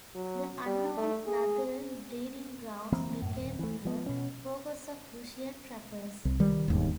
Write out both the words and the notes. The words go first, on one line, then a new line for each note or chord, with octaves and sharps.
The unknown northern breeding grounds became a focus of Russian trappers.
F#3
G3
A3
G#4
E3 A#3 C4
F#2 A2
D#1
E3 A3
F3 B3
B2 C#4
C2
D#3 G3
E1 D#2 G#2